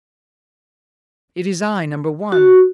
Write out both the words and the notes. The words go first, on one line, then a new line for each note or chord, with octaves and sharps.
It is I, Number One.
F#4